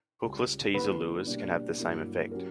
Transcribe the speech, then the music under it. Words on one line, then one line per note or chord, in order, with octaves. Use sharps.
Hookless teaser lures can have the same effect.
C#2 C#3 G3
D3 G3 A#3 C#4 E4 B4
B2 G3 A#3 D4
G2 F#3 A#3 E4
F#3 C#4 G4 A#4